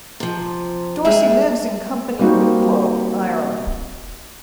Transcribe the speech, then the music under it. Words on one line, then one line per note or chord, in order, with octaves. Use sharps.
Dorcey lives in Company Wicklow, Ireland.
C3 F3
G3 G#3 G#4 E5
G3 A#3 C4 D#4 F#4